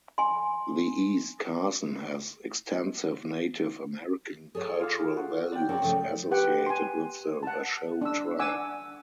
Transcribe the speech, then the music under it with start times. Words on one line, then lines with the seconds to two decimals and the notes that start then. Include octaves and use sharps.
The East Carson has extensive Native American cultural values associated with the Washoe tribe.
0.18 G#5 C6
4.55 G#4 A4 C#5
4.79 F4 F5 D6
5.16 F#4
5.52 D5 G5
5.69 C4 C#4 A#4 C#5 D5
5.82 C#3 F3 A3
6.31 G4 B4 F#5 G5
6.66 G#5 C6
7.43 F#5 A5
8.02 D4 E6
8.39 D4 F#5 G#5 D6 E6